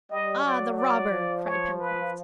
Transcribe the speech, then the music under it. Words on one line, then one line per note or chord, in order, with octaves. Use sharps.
"Ah, the robber!" cried Pencroft.
G3 D#5
F#3 D5
D5
F3
C#5
B4